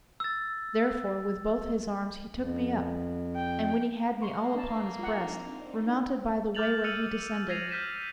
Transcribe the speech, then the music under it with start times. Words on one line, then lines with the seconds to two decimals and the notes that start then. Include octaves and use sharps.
Therefore with both his arms he took me up, And when he had me all upon his breast, Remounted by the way where he descended.
0.20 E6 A6
2.36 F2
3.35 G5
4.22 A#3 D#5 C6 C#6
4.55 D4 A5 C6 D6 C7
4.99 C4 D4 D#4 F4 F#5
6.55 D6 F6 G6 A6 F7 F#7
6.84 E6 F6 C#7 D#7 F7 F#7
7.49 F6 G#6 A#6 C7 D#7 F7
7.70 F6 G6 B6 D#7 E7